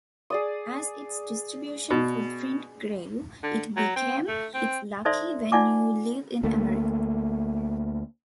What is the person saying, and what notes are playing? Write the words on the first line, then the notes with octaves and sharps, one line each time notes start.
As its distribution footprint grew, it became "It's Lucky when you live in America".
G#4 D5 D#6
B2
D3
F#3
C4
A3
C4
D#4 A4 C5 D5 E5 C6
D#4 F4 D5 F#5 G#5 D6
D2 A3 A#3